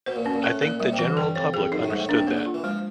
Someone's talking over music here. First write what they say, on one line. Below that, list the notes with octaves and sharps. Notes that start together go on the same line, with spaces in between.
I think the general public understood that.
B2 C5
A#2
B2 C#4
A#2
A2 A#4
A#2 A#4
A#2 G3
C3
B2 E3
G2 A4
F2 C#5
F2 G#4
F#2 D#4
A2
G#2 G3
A2
A#2 D4
C3
C#3 A#3
D3
F4
E3
F3 G#3